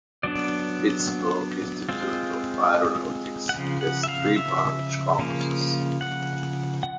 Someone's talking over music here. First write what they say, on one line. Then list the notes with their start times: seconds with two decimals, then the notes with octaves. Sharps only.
Pittsburgh Institute of Aeronautics has three branch campuses.
0.23 F#3 B3 D4 D5
1.89 G#3 C4 F4
3.49 F#5
3.54 C#3 F3
3.81 F#5
4.03 E5
4.08 F5
4.36 E5
5.19 C#3 F3 A#3
6.01 F#5
6.83 F#5